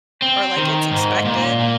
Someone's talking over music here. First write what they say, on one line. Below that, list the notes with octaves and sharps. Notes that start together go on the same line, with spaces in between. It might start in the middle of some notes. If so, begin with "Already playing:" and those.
or like, it's expected,
C4
D#3
G#2
A#2
A#3